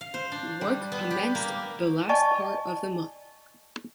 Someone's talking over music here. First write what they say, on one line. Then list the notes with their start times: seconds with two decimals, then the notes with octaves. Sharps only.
Work commenced the last part of the month.
0.01 F5
0.14 C5
0.32 D4
0.61 G3
0.92 B3
1.11 G4
1.35 A#3
2.09 D5 D#5 G#5 A5 C#6